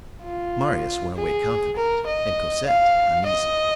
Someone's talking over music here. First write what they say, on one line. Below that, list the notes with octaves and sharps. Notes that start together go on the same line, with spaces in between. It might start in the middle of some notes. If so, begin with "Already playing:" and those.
Marius went away confident, and Cosette uneasy.
F4
G#4
A#4
D#5
F5
D#5